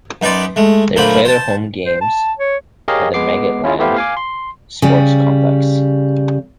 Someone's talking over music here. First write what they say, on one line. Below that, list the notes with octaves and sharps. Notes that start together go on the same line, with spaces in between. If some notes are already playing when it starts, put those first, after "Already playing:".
They play their home games at the Meggetland Sports Complex.
F#2 D#4 B4 D5 C6
G#3 A3
D2 A#2 F#3 C5 B5
C5 A5
C5
A5
C#5
G4 G#4 A#4 C#5 D#5 F5
G#3 B3 D6 C7
C#4 E4 F4 G#4
A3 B3 E4 G4 C5 F5
F5 G#5 D6
C6
C#3 G3